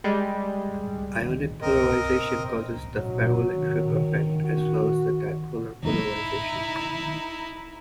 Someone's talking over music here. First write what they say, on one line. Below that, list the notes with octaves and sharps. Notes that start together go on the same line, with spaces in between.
Ionic polarization causes the ferroelectric effect as well as dipolar polarization.
G3 G#3
C4 A#4 D#5
F#3
D#3
F#4
D#4 E4